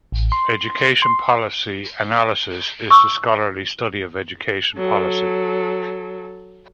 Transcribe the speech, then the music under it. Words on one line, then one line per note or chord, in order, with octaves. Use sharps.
Education policy analysis is the scholarly study of education policy.
A1
C6
C6
C#6 E6
F#3 A4